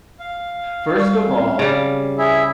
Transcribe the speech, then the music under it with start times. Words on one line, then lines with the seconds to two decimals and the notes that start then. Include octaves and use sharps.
First of all,
0.20 F5
0.97 G3 C#6
1.27 C4 C#4
1.59 C#3 G3
2.18 E4 G#4 E5